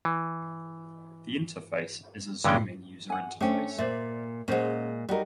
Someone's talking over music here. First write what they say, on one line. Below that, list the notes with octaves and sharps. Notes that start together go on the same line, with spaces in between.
The interface is a zooming user interface.
E3
G2 D3 E3 G#3 C#4 G5
F#5 G#5
A3 C#4 D4 C5 G5
A#2 C5 D5 E5
A#2 G#3 C#4 C5 F#5
G3 D#4 F#4 A#4